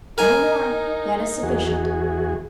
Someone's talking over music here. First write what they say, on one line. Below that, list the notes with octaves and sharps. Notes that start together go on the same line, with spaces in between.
'No more; that is sufficient.
D#4 A#4 G#5
E2 F#4 G#4